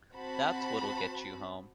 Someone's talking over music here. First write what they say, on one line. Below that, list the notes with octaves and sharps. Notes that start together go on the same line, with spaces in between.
That's what'll get you home.
C4 F#4 C5 A5 B5